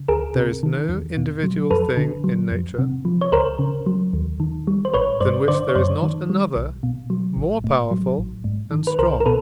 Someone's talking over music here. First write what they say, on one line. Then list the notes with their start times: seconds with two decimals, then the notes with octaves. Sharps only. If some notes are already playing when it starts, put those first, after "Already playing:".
There is no individual thing in nature, than which there is not another more powerful and strong.
Already playing: C#3
0.08 D2 G#4 A#4
0.36 C3
0.63 D#3
0.89 E2
1.17 B2
1.44 F#3
1.70 F2 A4 B4
1.97 D3
2.24 F#3
2.51 F2
2.79 C3
3.05 F3
3.21 C#5
3.32 C#2 A#4 C5
3.59 C#3
3.86 F#3
4.13 D#2
4.40 D#3
4.67 G3
4.85 C5
4.94 A1 B4 C#5
5.21 G2 C5 D5
5.48 D3 C5 D5
5.69 C#5
5.75 F#2 C5 D5
6.02 D#3
6.30 G3
6.56 B1
6.83 B2
7.10 F#3
7.37 A1
7.64 A2
7.91 F#3
8.18 A1
8.44 G#2
8.71 D#3
8.87 B4
8.99 C2 A#4 C5
9.20 A#4
9.26 B2 A4 B4